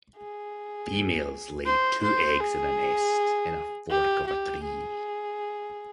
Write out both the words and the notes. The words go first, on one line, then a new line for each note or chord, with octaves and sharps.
Females lay two eggs in a nest in a fork of a tree.
G#4
C5
C5
G#4
G4
G4
G#4